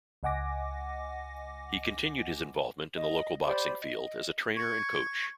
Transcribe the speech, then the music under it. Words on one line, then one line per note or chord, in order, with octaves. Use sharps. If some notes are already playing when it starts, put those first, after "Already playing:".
He continued his involvement in the local boxing field as a trainer and coach.
C#2 D#5 F#5 G#5 D6 A#6
D#5
G4 C5 D5 B5
D#5
C#6 G#6